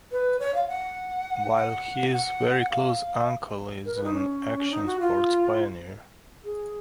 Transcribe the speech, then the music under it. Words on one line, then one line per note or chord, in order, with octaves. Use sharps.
While his very close uncle is an action sports pioneer.
B4
C#5
F5
F#5
F#5
F#5
F5
A#4
B4
D#4
C#4
D#4
F#4
F4
G#4